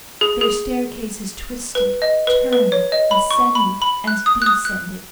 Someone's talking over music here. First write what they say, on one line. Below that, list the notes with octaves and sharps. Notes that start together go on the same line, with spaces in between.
Their staircases twisted, turned, ascended, and descended.
G#4
G#4
B4
D#5
B4
B4
C#5
D#5
B5
C#6
B5
B5
F#6
D#6
F#6
D#6
F#6